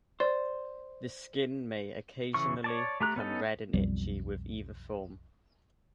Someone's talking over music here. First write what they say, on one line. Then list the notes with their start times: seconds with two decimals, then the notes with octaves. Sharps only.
The skin may occasionally become red and itchy with either form.
0.20 C5 D5
2.34 C#3 E3 C#6
2.64 C#5 D5 A5
3.00 A3 G4 A#5 F#6
3.16 B3 C#4 D#4 A4
3.74 B1 F2 G3